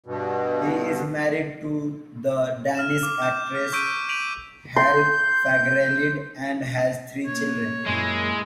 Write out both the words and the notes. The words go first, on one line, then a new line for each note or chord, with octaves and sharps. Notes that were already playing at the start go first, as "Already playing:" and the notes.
He is married to the Danish actress, Helle Fagralid, and has three children.
G2 B2
F6 E7
D6
G6 E7
F6 B6
C#6 E6 G6 B6 D7 D#7
G6 B6 D7 D#7 F7 F#7
C6 G6
B2 A#3 C#5
F#2 A#2 G#3 A#3 E4 G#4